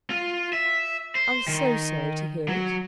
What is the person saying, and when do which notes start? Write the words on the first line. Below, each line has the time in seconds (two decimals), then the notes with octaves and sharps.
"I was so sorry to hear it."
0.10 F4
0.53 E5
1.15 C5
1.48 D#3
2.48 F#3